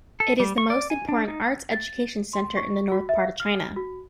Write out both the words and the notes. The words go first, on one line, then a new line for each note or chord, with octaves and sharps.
It is the most important arts education center in the north part of China.
A4
G3
C#6
D5
G#5
D4
D#4
A6
C6
C#6
F#4
E5
F5
F6
F#4